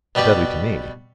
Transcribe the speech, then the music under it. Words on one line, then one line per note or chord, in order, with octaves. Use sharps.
Deadly to me!
B2 G3 G4 B4